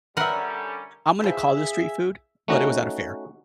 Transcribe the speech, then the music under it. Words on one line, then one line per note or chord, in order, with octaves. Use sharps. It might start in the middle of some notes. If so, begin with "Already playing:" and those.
I'm gonna call this street food, but it was at a fair.
D3 G3 C#4 A#4 B4 E5 F#5
E3 F3 G#4 E5
A3 C#4 D#4 F#4 D#5